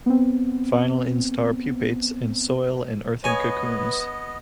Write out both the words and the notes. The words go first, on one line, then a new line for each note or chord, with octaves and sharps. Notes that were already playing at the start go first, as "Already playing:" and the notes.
Final instar pupates in soil in earthen cocoons.
B3 C4
B3 B4 C#5 D#5 G#5